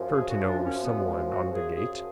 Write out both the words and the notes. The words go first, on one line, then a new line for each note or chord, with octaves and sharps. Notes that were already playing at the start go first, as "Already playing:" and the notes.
Sure to know someone on the gate.
Already playing: F#2 F3
G#4
F#4
D4
C#4
B3
G#3
F#4
F#2 F3 G#4
G#4